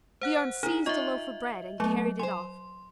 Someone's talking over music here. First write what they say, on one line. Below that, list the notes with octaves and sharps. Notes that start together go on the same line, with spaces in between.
The arm seized a loaf of bread and carried it off.
C5 F#5 F#6
D#4 G#4 A#4
D#4 F4 C#5 D#5 E5
F#3 A3 B3
C5 G#5 C6